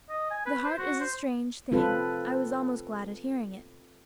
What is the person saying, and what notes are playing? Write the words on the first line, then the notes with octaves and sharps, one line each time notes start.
The heart is a strange thing; I was almost glad at hearing it.
D#5
G#5
B4
C5
F#4
C5
C4 F4 A4 B4